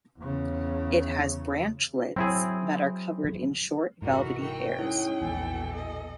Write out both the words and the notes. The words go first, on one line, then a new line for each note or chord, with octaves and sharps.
It has branchlets that are covered in short velvety hairs.
E2 C#3
F#3 C4 E4 G#4
F1 G#2 E3 D#4 F#4 A#4
A#4 G5
G#3 C#4 D#4 E4 G#4 C#5
A#1 E2 B2 E3 A4 G#5
D#5